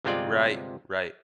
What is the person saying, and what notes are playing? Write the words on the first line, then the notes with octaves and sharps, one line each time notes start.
Right, right.
G1 C3 G#3 C4 F4 D5